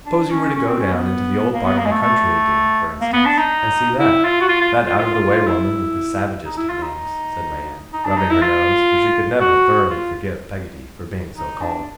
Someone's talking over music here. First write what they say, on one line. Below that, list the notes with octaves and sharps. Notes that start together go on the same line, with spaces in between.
Suppose you were to go down into the old part of the country again, for instance, and see that--that out-of-the-way woman with the savagest of names,' said my aunt, rubbing her nose, for she could never thoroughly forgive Peggotty for being so called.
D4
C#4
C#4
C4
C#4
B3
A#3
B3
A#3
G#3
A3
A3
A#3
B3
D4
D#4
E4
F4
F#4
F4
F4
F4
F4
F4
F4
E4
D#4
E4
F4
D#4
D#4
D4
D#4
E4
F4
F#4
F4
D#4
D4